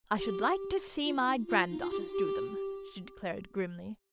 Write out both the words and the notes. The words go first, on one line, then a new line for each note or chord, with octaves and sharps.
"I should like to see my granddaughters do them!" she declared grimly.
G4
F4
D#4
F4
D#4
F4
G4
G4